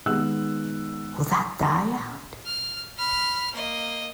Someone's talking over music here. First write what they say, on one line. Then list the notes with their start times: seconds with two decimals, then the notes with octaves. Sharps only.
Will that die out?
0.06 D#3 G#3 B3 G#4 E6 F#6
2.46 F6
2.98 B5 F6
3.55 A#3 D#5